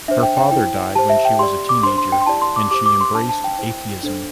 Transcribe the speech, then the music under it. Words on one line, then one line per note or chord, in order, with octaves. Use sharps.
Her father died when she was a teenager, and she embraced atheism.
D4 C5 E5
G5
G5
E4 C5 G5
G4 C5 A5
E5
G5
G4 D5 C6
D6
D4 C5 C6
C6
G5
C6
E4 G4 D5 A5
C6
D6
G4 C5 D6
D6
C6
D4 C5 A5
A5
G5
E4 C5
D4 A4 C5